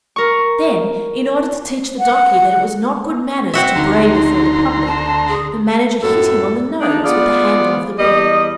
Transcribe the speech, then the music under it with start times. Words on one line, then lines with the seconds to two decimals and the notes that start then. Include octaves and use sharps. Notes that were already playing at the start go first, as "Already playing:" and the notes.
Then, in order to teach the Donkey that it was not good manners to bray before the public, the Manager hit him on the nose with the handle of the whip.
0.16 A#4 C#6
1.98 F#5
3.54 C4 F#4 E5
3.76 D2 D#4 A#5 C6
4.86 A5
5.28 G#4
6.03 F#2 A2 A4
6.81 D4 D#4
7.04 B3 F4 G#4 D5
7.99 E2 G3 D#5